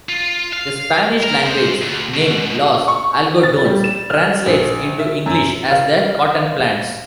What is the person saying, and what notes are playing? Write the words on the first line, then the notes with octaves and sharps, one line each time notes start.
The Spanish-language name "Los Algodones" translates into English as "the cotton plants".
F4
F5
A#4
G#3 C5
D2
G#2 B2
C#6
A6
G3
E7
F6
A#1
E5
F#2
F5